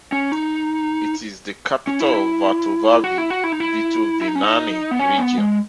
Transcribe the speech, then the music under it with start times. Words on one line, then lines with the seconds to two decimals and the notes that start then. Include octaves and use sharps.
It is the capital of Vatovavy-Fitovinany Region.
0.12 C#4
0.32 D#4
1.87 C#4
2.00 E4
2.14 E4
3.04 F#4
3.18 E4
3.30 F#4
3.44 E4
3.52 D#4
3.60 E4
4.21 E4
4.28 D#4
4.35 C#4
4.43 D#4
4.91 B3
4.99 C#4
5.18 B3
5.38 G#3